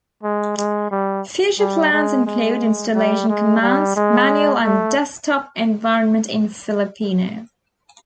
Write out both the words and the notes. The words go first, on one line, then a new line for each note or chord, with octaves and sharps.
Future plans include installation commands, manual and desktop environment in Filipino.
G#3
G#3
G3
G3
G#3
G#3
G3
G#3
G3
G#3
A3